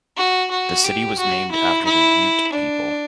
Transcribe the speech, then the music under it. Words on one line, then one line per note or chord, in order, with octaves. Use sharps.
The city was named after the Ute people.
F#4
F#4
G4
F#4
E4
E4
D4